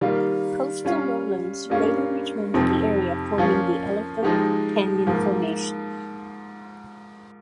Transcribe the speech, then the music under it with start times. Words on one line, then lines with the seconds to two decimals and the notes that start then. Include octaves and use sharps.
Coastal lowlands later returned to the area, forming the Elephant Canyon Formation.
0.01 D#3 G3 A#3 F4
0.85 G3 C#4 F4
1.70 G2 G3 A#3 C#4 F4
2.54 F2 C3 F3 C4 D#4
3.38 F3 A#3 C#4 F4
4.23 F3 G#3 D#4 G4
5.07 G#2 F3 A#3